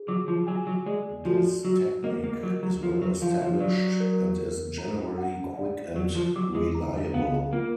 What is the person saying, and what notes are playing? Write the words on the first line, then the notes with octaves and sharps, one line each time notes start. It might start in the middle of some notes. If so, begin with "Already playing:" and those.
This technique is well established and is generally quick and reliable.
Already playing: G#4
F#3 D6
F3
F#3 G#5
F#3
G#3 D5
F3 F#4
F#3 F#4
A#3 D#5
A#3
F#3 A#4
F#3
F3 F4
F#3
F3 F5
F3
F#3 D5
A#4
A#4
A#5
F#5
D5
F#3 A#4
F3
F#3 D6
G#3
A#5
B3 F5
A#3 F4